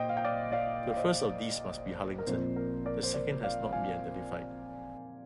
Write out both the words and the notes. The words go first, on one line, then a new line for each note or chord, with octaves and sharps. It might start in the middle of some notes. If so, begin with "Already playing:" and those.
The first of these must be Harlington; the second has not been identified.
Already playing: A#2 C5 D#5 G5
F5
G5
D5 F5
D5 F5
F5
C5 D#5
A#4
A#2 F3 C4 C5
A#4
A#4 D5
C5
A#4 D5
D5 F5
F5 G#5